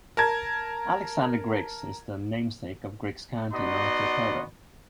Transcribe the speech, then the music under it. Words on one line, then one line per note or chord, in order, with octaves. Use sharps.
Alexander Griggs is the namesake of Griggs County, North Dakota.
A#4 A5 G#6
B3 D#4 F#4 D5 D#5 C6